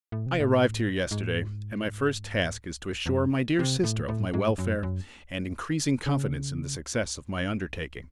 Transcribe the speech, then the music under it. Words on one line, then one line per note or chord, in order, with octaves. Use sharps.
I arrived here yesterday, and my first task is to assure my dear sister of my welfare and increasing confidence in the success of my undertaking.
A2
C3
A2
G#2
A2
G#2
E2
F#2
C3
A2
A2
G#2
F#2
F#2
C#3